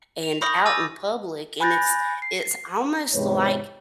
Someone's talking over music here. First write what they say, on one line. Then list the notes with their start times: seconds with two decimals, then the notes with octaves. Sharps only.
and out in public, and it's it's almost like
0.24 F7
0.42 B5 C#6 D#6 F6 G6 A#6
0.66 G#5 D6 E6 F6 A6 A#6
1.60 G#5 B5 F#6 G6 A6 A#6
2.22 C7
3.14 E2 G#2 C3 G#3 B4 C#5